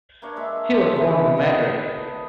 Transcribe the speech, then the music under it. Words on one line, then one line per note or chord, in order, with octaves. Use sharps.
He was born in Madrid.
A#3 D4 C#5
G#3 E5
C5
D#3 E3 A3 B3
D#5